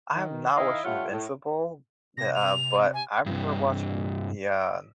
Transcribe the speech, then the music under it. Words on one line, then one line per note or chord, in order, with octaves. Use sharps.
I've not watched Invincible, eh, uh, but, I remember watching the, uh
D#3
D#3 E4 D#5 F5
G2 A3 F4 C#5 F#5
A2
C3 A#6
F7
G#5
G2 C3